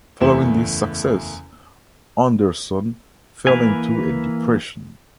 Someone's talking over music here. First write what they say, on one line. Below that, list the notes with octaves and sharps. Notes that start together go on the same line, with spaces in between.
Following this success, Andersson fell into a depression.
F#1 E2 A3 E4 E7
E3 A#3 B4 F5 G#5